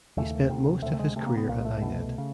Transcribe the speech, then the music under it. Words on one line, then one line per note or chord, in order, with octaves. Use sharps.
He spent most of his career at Ined.
D#2 C#3 A3
D2 C3
D2 C3 A3
A3
G#3
D2 C3 A3
A#3
B3
C2 A#2 A#3
G#3
A3
C2 B2
C#3